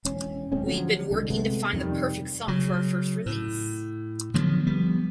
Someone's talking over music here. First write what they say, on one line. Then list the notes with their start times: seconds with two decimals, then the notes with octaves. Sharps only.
We’d been working to find the perfect song for our first release.
0.05 E1 C#4
0.52 D1 G#3 C4 C#4
0.66 D3 F3 F#3
1.11 C2 D3 G#3
1.30 C3 G#3 A3 B3
1.73 F2 C3 D#3 G3
2.48 C#3 F#3
3.26 A2
4.34 D3 F3 F#3 B3
4.67 F3 G3 B3